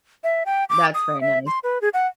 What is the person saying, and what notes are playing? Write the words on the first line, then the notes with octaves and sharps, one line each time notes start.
That's very nice,
E5
G5
D6
D#6
E5
C6
B4
G#4
F#5